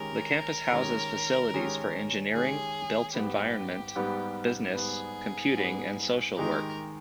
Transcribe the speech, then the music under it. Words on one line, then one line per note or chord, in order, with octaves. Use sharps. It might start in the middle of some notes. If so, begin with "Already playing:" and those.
The campus houses facilities for engineering, built environment, business, computing and social work.
Already playing: D#3 G#3 C#4 G4 A#4
D#3 G#3 C#4 G4
D#3 G#3 C#4 G4
D#3 G#3 C#4 G4 G#4
G#2 G3 B3 G4
G#2 G3 B3
G#2 G3 B3 G#4
G#2 G3 B3
D#3 G#3 D#4 G4 A#4